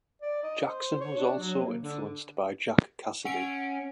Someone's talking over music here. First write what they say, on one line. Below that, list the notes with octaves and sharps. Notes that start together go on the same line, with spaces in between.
Jackson was also influenced by Jack Casady.
D5
D#5
C5
C#5
D4
F#3
A#3
D3
C#4 F#5 D7